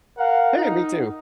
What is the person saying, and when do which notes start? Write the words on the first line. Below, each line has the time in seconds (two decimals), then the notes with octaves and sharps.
Hey, me too.
0.18 A#4 F5 F#5
0.57 D#4